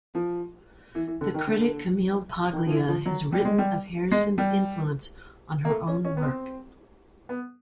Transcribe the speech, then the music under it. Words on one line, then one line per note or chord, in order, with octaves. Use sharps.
The critic Camille Paglia has written of Harrison's influence on her own work.
F3
E3
E3
D3
D#3
D3
D#3
F3
E3
F3
F#3
G3
G#3
G3
G#3
G3
A#3
A3
C#4
C#4
B3
C4
B3